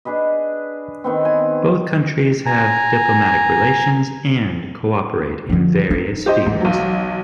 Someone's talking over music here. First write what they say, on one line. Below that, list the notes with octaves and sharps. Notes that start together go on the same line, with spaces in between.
Both countries have diplomatic relations and cooperate in various fields.
D4 G#4 B4 D#5
D#3 B3 C4
G#5
G#5 A#5
D3 F3
D#4
G4 C5 D#5
G#2 E3
B1 F#3